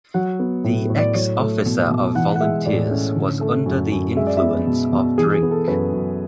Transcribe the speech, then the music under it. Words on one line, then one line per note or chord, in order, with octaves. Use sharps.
The ex-officer of volunteers was under the influence of drink.
F#3 F#5
B3
A2
A2
D5
F#3 C#5
A3
B2
B2
E3 F#5
F#5
G#3 E5
A2 D5
C#4
D3
A3
F#2
F#2
G#3 E5
D5
E5
B3
B2
B2
E3 G#4
G#4
B3
A4
F#2 B4
F#2